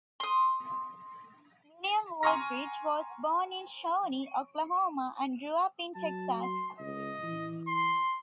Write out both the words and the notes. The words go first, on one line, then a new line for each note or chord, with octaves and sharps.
William Wooldridge was born in Shawnee, Oklahoma, and grew up in Texas.
C6 D#6
G#5 A#5 C6 C#6 F6 A#6
F#3 A5
C6
C#2 D#5
E3
C6